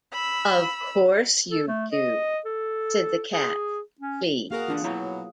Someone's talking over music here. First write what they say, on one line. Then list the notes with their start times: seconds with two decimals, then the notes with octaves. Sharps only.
"Of course you do,"said the Cat, pleased.
0.13 B5 E6
1.50 A4
1.68 A3
1.92 D#5
2.45 A4
3.32 G#4
4.01 C#4
4.51 A#3 F#4 G#4 A#4 F5 F#5
4.68 E2 D4 F4 F#5
4.84 B2 F#3 E4 C#5 A#5